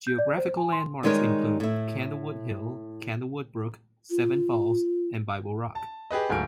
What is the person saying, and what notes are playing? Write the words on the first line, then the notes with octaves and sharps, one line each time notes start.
Geographical landmarks include Candlewood Hill, Candlewood Brook, Seven Falls and Bible Rock.
G6
D5
C5
G#5
C6
D#3 G3 G#3 D#4 A#4 C#5
A2 E4
F4
A5
G4 G#4 B4 D#5
D1 G#2 A3 G#5 F6 D7